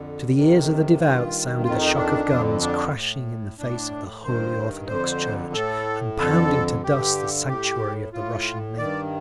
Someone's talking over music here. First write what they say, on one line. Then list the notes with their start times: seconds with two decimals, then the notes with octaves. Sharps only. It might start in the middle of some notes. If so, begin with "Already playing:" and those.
To the ears of the devout sounded the shock of guns crashing in the face of the Holy Orthodox Church, and pounding to dust the sanctuary of the Russian nation....
Already playing: F2 D3
0.34 F2 C3 D#3
0.99 G2 D#3 F4
1.64 F2 D#3 F4
1.80 D#4
1.96 D4
2.29 F2 D3
2.61 D4
2.94 A2
3.58 A2 D4
4.24 G2 D#3 C5
4.88 F2 D3 C5
5.53 A2 A4
6.18 F2 D3 A4
6.83 G2 D3 G4
7.48 A2 G4
8.13 A2 F4
8.78 G2 D#3 D5